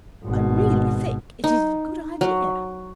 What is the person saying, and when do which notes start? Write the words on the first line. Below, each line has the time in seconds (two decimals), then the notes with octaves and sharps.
'I really think it is a good idea.
0.24 G#1 B2
1.44 D#4
2.21 F#3